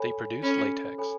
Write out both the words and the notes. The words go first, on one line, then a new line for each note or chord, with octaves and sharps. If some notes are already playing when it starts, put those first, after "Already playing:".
They produce latex.
Already playing: A4 C#5 G#5 B5
C#4 A4 C#5 G#5 B5
A4 C#5 G#5 B5